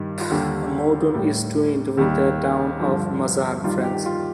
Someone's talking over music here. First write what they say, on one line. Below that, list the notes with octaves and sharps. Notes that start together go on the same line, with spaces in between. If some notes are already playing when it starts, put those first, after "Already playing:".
Moudon is twinned with the town of Mazan, France.
Already playing: G2 D#3 G3
F4
D#2 D3 G3 G4
A2 G3
D#2 D#3 G3
G2 D3 F3
G2 D#3 G3 F4
G4
G4
F4